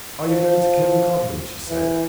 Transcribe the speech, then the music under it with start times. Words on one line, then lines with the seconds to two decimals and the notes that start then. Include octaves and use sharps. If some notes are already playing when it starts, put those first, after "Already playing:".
"Are you going to Killancodlem?" she said.
0.25 F3
1.69 E3